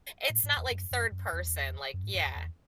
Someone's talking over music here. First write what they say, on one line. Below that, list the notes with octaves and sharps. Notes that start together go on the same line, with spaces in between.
It's not like third person, like, yeah,
A2
G#2
E2
F#2
F#2
F#2
E2
F#2
G#2
F#2
E2
E2